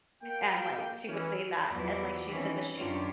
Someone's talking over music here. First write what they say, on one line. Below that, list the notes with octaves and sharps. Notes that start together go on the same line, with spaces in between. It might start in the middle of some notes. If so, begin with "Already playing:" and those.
and, like, she would say that, and, like, she said that she
A#3 G5
E3 C#4
E2 F3 F#3 B3 E4 D5
D#3 E3 C4 C#4
F#2 D#3 D4 F4 G4 C#5